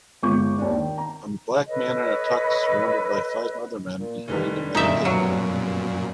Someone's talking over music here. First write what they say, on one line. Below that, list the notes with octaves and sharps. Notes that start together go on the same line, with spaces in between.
A black man in a tux surrounded by five other men behind a metal gate.
G1 G#3 F4 C#6 D6 G6
D#2 D4
D#3
A#5
A4 B4 C#5 D#5
A#2
F1 D#3 E3 G3
F#2 A#2 D3 D#4 E5
B2 F#3